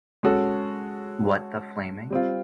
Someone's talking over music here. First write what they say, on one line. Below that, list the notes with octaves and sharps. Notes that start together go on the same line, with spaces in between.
What the flaming.
G#3 C#4 F#4 A4
G3 C4 F4